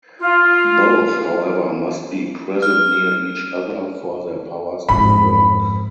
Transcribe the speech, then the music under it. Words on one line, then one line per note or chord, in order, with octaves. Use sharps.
Both however must be present near each other for their powers to work.
F4
F6
F2 G#2 B5